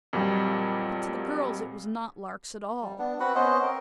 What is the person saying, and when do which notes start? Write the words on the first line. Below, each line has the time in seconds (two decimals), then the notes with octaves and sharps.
But to the girls it was not larks at all.
0.13 F2 A#2 F#3 G3
2.82 G3
2.98 B3 D4
3.20 C4 F#4 B4 F#5
3.35 B3 C#4 C5 D#5
3.62 C4 A#4